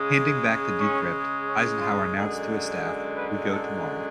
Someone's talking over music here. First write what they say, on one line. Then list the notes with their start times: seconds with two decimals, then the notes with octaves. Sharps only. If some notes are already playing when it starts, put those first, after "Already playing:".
Handing back the decrypt, Eisenhower announced to his staff, We go tomorrow.
Already playing: C#3 G#3
0.78 C#4
1.47 C#4
1.80 F4
2.15 F#2 D3 G#3 G#4
2.83 G#4
3.16 B4
3.51 A4